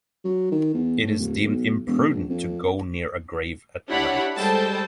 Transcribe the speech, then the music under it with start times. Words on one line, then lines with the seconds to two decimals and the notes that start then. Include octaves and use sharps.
It is deemed imprudent to go near a grave at night.
0.24 F#3
0.52 D#3
0.74 E2
1.02 A2
1.19 D1
1.46 B1
1.87 E1
2.07 A#1
2.29 F2
3.87 D4 E4 G4 C#5 F#5 B5
4.36 G3 G#3 A4 C5 G5 A5